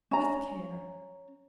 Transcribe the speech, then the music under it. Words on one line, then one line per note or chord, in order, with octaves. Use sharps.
With care!
C#4 A#5